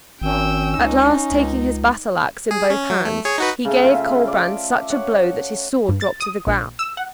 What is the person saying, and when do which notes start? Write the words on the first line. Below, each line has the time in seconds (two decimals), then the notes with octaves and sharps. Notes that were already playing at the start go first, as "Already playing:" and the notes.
At last, taking his battle-axe in both hands, he gave Colbrand such a blow that his sword dropped to the ground.
0.22 G#1 C#4 G5 E6
0.79 C#2 D#4
1.32 C#2
2.51 G#4
2.70 C#4
2.90 F#3
3.05 A3
3.25 G#4 C#5
3.38 D#4 F#4 B4
3.65 C#3 A3
3.84 F4 E5
4.28 D5
4.90 C#5 F#5
5.89 G2
6.01 A6
6.20 D#6
6.47 A#1
6.79 E6
6.97 F#5